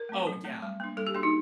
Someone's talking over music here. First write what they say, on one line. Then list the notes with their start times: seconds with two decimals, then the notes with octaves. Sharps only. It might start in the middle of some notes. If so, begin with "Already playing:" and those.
Oh, yeah.
Already playing: A#4
0.09 A3 C4
0.27 F#3
0.45 A3 C4
0.62 G3
0.80 A#3 D4
0.97 G3 A4
1.07 G4
1.15 A#3 D4 F#4
1.23 D#4